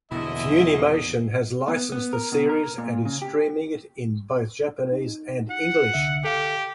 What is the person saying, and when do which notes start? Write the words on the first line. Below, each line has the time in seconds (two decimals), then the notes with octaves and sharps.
Funimation has licensed the series and is streaming it in both Japanese and English.
0.12 A#1 E2 B2 D3 E4 D#5
1.68 B3
1.92 B3
2.13 A#4
2.32 B2
2.49 A#4
2.78 A#2
3.05 C#3
3.22 G4
4.92 D#4
5.50 F#5
5.94 C2 D3 E5
6.24 G4 A4 F5